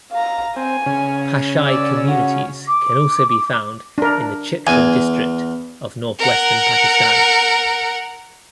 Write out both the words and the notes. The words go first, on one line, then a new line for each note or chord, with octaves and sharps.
Pashai communities can also be found in the Chitral district of northwestern Pakistan.
F5 A#5
C4 G#5
C#3 C#4
D5 E6
F#4
D6
D4 A#4
E2 G#5
A#4 F#5